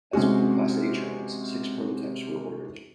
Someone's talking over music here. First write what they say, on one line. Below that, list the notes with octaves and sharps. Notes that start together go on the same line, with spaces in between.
As with the class A trains, six prototypes were ordered.
C3 G#3 C#4 F#4